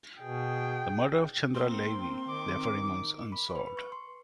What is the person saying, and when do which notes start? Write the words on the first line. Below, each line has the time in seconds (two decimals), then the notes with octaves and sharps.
The murder of Chandra Levy therefore remains unsolved.
0.21 B2 G#4 G5
1.55 A#3 C4 C6
2.29 D#3 D6
3.32 B5
3.56 B4
3.77 C#6
3.92 C6